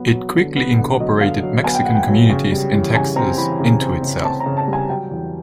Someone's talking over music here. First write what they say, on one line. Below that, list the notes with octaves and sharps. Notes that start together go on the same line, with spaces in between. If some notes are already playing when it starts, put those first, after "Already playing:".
It quickly incorporated Mexican communities in Texas into itself.
Already playing: F#3 B3
F#3
D3
B3
D3
F#3 D#5
D3 F5
F#3
B3 G#5
G5
B3 F#5
G5
F#3
C#3
G3
E3
C#3 G#5
C4 A#5
E3 B5
C#3
C4
C#3
C4 A5
A#5
C#3
A5
G3
G#5
F#3 G5
E2